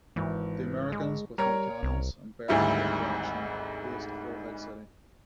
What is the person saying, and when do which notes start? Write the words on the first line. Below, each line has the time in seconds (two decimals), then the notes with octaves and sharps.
The Americans, with no cannons, and barely fit for action, faced a fortified city.
0.16 G#1 E3
0.92 G#3
1.38 G3 A#4 C#5 A#5
1.83 C2
2.48 G#1 D2 G#2 G3 E4